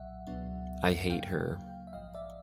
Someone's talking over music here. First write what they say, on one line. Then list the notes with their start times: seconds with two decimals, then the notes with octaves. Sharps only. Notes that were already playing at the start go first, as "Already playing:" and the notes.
I hate her.
Already playing: B1 A#2 F#3 E5 F#5
0.27 C#2 B2 F#3 B3 D4
1.10 D2 C#3 F#3 A#3 D4 F5 G5
1.87 E5
1.93 A#1 G#2 F3 D#5 F5
2.15 D5 E5